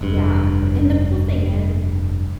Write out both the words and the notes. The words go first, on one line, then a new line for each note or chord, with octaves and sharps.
Yeah, uh a and the cool thing is
F1 G2